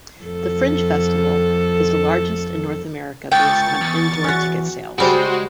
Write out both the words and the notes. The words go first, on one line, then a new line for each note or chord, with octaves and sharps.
The fringe festival is the largest in North America based on indoor ticket sales.
F2 A4
C#2 G5 C#6 A6
E2
C#4 F#4
C#3 G3 G#3 F#4 C5 A5